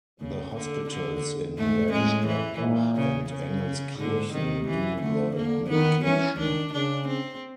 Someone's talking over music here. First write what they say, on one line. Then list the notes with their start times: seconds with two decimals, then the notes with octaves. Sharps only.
The hospitals in Bergisch Gladbach and Engelskirchen do the medication.
0.20 C#3
0.55 D3
0.89 D3
1.57 G#2 A3
1.92 A2 G#3
2.26 E3
2.60 A#2
2.95 C#3
3.30 C#3
3.98 G#2 D3
4.32 C3 D#3
4.67 E3
5.01 D3 A3
5.35 D3 A#3
5.70 D#3 B3
6.04 E3 C#4
6.39 D#3 D4
6.72 C#3 D4
7.07 C4